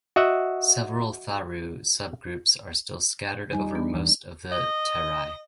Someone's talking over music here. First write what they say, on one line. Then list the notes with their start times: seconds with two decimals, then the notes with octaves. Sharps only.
Several Tharu subgroups are still scattered over most of the Terai.
0.16 F#4 D#5 E5 F#5
3.53 G3 D#4 G#5
3.71 B3 D4
3.94 E2
4.52 D#5